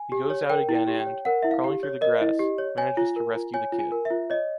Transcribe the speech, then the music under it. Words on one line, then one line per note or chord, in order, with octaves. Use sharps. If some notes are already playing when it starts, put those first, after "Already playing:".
He goes out again and, crawling through the grass, manages to rescue the kid.
Already playing: G#5
G4
C#5
A#4 G5
E4
G5
G4
G5
C#5
A#4 F#5
E4 E5
F5
G4
C#5
A#4 D#5
E4
G4
C#5
C#5 G#5
F4
A#4
F4
C#5 G#5
F4
G#5
A#4
E5
F4
C#5 D#5